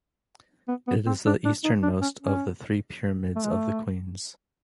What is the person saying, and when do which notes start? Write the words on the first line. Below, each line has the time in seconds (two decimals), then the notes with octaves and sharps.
It is the easternmost of the three pyramids of the queens.
0.68 B3
0.88 B3
1.07 C4
1.26 D4
1.45 D4
1.65 D#4
1.83 D4
2.02 C#4
2.22 C#4
3.36 A3
3.44 G#3
3.51 A3